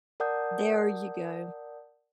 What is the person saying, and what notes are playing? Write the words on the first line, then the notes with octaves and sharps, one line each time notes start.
There you go.
A#4 D5 F#5 A5 D#6 G6